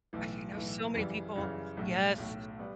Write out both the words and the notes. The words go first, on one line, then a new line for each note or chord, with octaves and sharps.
okay I know so many people yes.
B1 A2 E3
B1 A2 E3
F#2 C#3 E3 G3
F#2 C#3 E3 G3
B1 A2 F#3
B1 A2 F#3
G3 B3